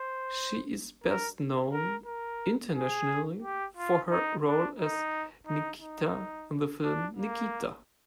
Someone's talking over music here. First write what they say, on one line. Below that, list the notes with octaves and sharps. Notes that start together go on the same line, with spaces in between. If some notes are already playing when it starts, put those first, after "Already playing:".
She is best known internationally for her role as Nikita in the film "Nikita".
Already playing: C5
A#4
A#4
A#4
G#4
G4
F4
D#4
D4
D#4
D#4
D#4
D4
A#3